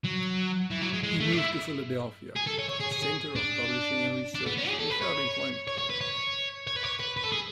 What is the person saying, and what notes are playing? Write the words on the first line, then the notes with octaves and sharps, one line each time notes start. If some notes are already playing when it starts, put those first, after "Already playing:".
He moved to Philadelphia, a center of publishing and research, without employment.
F#3
E3
F#3
G#3
G#3
A3
D4
E4
G#4
A4
C#5
C#5
G#4
G#4
G#4
D4
D4
B3
C#4
G#4
A4
B4
C#5
C#5
C#5
B4
C#5
C#5
B4
C#5
B4
B4
A4
G#4